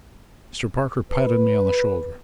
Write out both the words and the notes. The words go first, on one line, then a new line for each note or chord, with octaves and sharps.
Mr. Parker patted me on the shoulder.
B4